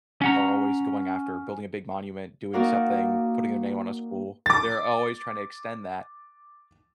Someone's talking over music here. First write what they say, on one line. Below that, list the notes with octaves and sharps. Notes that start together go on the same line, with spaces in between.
are always going after building a big monument, doing something, putting their name on a school, they're always tryna extend that.
C#4 F#5 A#5
A#3 D#4 F#4 A#4 D5 F5
D6 A6